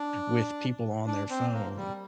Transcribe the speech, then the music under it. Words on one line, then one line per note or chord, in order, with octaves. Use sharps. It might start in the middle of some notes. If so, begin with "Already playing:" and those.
with people on their phone,
Already playing: D4
D4
C4
A#3
G3